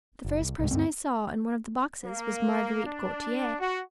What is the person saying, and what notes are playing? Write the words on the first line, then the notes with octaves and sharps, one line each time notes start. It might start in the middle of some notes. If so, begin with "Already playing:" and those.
The first person I saw in one of the boxes was Marguerite Gautier.
F#1
C2
C2 G#2
D2 G2 A3 C4
A#3
D4
F#4